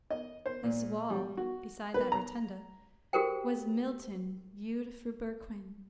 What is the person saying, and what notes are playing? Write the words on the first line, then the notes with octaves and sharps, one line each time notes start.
This wall, beside that rotunda, was Milton viewed through Berquin.
D#5
C5
A#2
G3
F#4
B4
A#5
F#4 G4 A4 A#4 C5 G5